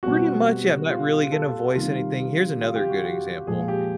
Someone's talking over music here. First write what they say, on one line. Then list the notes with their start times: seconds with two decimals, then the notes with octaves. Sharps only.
Pretty much, yeah, I'm not really gonna voice anything. Here's another good example.
0.03 B2 G3 C4 F#4
0.90 F4
1.32 A4
1.75 C3 D#3 G3 F4
2.61 F4
2.75 G4
2.90 F#4
3.04 G4
3.47 A#2 F3 G#3 G#4
3.68 G4